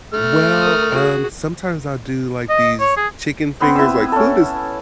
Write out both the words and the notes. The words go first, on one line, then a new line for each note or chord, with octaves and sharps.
Well, um, sometimes I'll do like these chicken fingers, like, food is
A3 F6
A#4 D#6
F#4 G#4
D#5
C#5
G#4
B3 C4 B4
E4 E6
C#4 A4